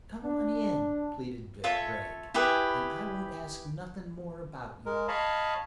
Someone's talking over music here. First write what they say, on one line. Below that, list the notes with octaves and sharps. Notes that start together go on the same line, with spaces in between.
"Come on in," pleaded Vic Gregg, "and I won't ask nothin' more about you."
D4
F4 A4 C#5 E5
E4 G4 G#4 B4
G#3 A#4
C#5 D#5 F5 A5 B5